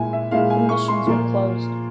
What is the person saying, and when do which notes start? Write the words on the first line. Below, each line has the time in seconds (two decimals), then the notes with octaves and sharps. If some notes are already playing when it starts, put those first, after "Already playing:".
The missions were closed.
Already playing: A#2 G#3 E4 G#5
0.13 E5
0.31 A#2 G#3 E4 F5
0.50 G#5
0.69 C#6
0.88 C6
1.06 A#2 F3 A#3 F4